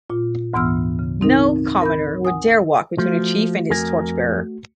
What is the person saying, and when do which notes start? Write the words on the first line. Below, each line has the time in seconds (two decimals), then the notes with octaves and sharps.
No commoner would dare walk between a chief and his torch-bearer.
0.10 A#2 F4
0.54 D2 G#2 E3 B3 E6 F6
0.99 C#3
1.21 C4 D#4 A#4
1.81 A#4 B5 G6
2.25 F#5 G#5 D#6
2.98 F3 A3 F#4
3.70 F2 A#4 G#5